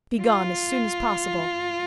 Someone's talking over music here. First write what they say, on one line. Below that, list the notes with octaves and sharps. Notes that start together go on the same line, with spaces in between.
Begone as soon as possible.
F4